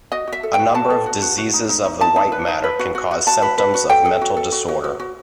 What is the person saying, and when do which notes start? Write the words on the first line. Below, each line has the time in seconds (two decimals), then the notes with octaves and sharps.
A number of diseases of the white matter can cause symptoms of mental disorder.
0.12 F#4 D#5
0.28 F#4 E5
0.43 A4
0.54 G5
0.59 F#4
0.74 F#4 A5
0.90 A4
1.06 F#4
1.22 F#4
1.38 F#4
1.53 D#4
1.69 D#4
1.85 D#4
2.00 D#4 A5
2.16 D#4
2.32 B4
2.48 D#4
2.64 B4
2.79 F#4
2.95 F#4
3.11 F#4
3.27 F#4 A5
3.42 B4
3.58 B4
3.74 F#4
3.89 A4 G5
4.05 A4
4.21 F#4
4.37 A4
4.52 F#4
4.68 F#4
4.84 F#4
5.00 F#4